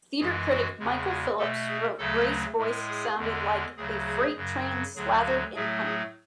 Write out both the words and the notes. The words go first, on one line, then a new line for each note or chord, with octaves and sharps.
Theatre critic Michael Phillips wrote Gray's voice sounded like "a freight-train slathered in honey".
F#2 E3 G#3 G#4
F#4
E2 C#3 G#3
G#4
B2 A3 A4
G#4
D2 C#3 F#3 A3 A4
A2 G#3
G#4
E2 D3 G#3
D2 C#3 F#3 G#4
G#4
F#2 C#3 F#3
D2 D3 F#3 G#4
F#4
A2 F#3 A3 G#4
G#4